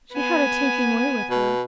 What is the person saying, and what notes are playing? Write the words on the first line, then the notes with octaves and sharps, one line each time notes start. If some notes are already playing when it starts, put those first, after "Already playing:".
She had a taking way with her.
B3 G#5
B2